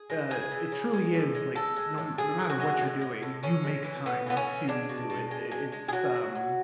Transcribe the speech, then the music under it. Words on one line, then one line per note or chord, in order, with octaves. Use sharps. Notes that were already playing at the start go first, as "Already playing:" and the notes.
uh, it truly is, like, no m no matter what you're doing, you make time to do it, i it's, um,
Already playing: G#4
G#3
C#3 G#4
E3
C#3
G#3
A2
G#3
G#3 A4
G#3
A2
A2 G#4
A2
F#4
G#3
A2
G#3
A2
A2 C#4
G#3
E3
A2 B3
E3 B3
C#4
E3
G#3 D4
B2
B2
G#3
G#3
G#3
G#4
F#3 F#4
F#3
F#3